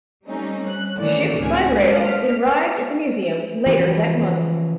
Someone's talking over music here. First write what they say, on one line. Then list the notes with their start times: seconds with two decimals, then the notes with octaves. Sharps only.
Shipped by rail, it arrived at the museum later that month.
0.27 G3 A3 C4 C#4 D#4
0.67 F#6
1.00 D#3 E3 A3 A#3 C#4 D5
1.38 G#1 C#2 A2 F3 C#4 G#5
1.71 G3 G#3 A#3 C#4 D4 B4
2.04 F6 B6
3.66 C#3 E3 F3 A#3 G4